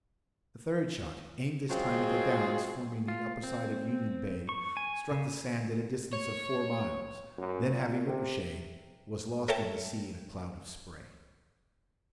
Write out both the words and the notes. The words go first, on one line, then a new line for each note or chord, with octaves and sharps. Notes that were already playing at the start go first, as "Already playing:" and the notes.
The third shot, aimed this time at the downs forming the upper side of Union Bay, struck the sand at a distance of four miles, then having ricocheted: was lost in the sea in a cloud of spray.
F#3 G#3 C4 F4 G#4
F4
C4
C#6
G#5
C#3
C#5
F#2
A#2
C3
A4 A#4 C#5 E5 G5 A5